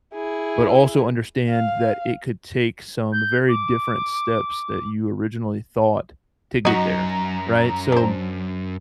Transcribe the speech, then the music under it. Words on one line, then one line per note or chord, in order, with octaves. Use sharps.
but also understand that it could take some very different steps that you originally thought to get there, right, so
E4 G#4
F5
G6
D6
F#2 D#4 F#4 D#5 A#5
D4 C5